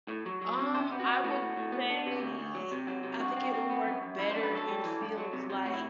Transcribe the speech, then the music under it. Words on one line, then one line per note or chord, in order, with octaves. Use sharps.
Um, I would say I think it will work better in fields like
A2
F#3
F#3
C4
C3 C5
B3
F#4
B3
A2 F#4
A2
A2
B3
D4
C3
D2
D2
F#3
C3
F#3
C3
G2 F#4
C4
C4
B3
F#2
F#2
F#2 E4
C5
D4
B4
F#3 A4
G3
E3
G2
F#3
C3
C3
A2 F#4
E4